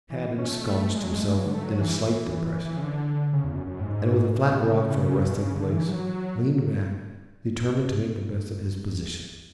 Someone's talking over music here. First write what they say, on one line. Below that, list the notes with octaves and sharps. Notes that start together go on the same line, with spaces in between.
Tad ensconced himself in a slight depression, and with a flat rock for a resting place, leaned back determined to make the best of his position.
E3
C#4
A3
G#3
F#3
G#3
A3
G#3
F#3
D3
A3
F#3
E3
E3
C#3
D3
C#3
E2
F#2
F#2
A2
G#2
A2
B2
B2
C#3
B2
C#3
D3
E3
F#3